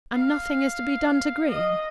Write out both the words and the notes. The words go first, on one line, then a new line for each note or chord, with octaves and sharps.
"And nothing is to be done to Green!"
F5
D#5